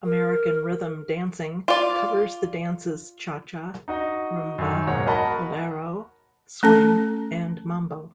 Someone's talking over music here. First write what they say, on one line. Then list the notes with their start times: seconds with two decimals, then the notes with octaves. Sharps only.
American Rhythm dancing covers the dances cha cha, rumba, bolero, swing, and mambo.
0.04 A#4
1.68 F4 D5
3.88 D#4 F#4 D#5
4.58 F#2 D#3
4.87 E1 G#2 A#3 C#5 F#5
5.07 F#4 A#4 D#5 F#5 A5 B5
6.63 A3 C#4 A4 A5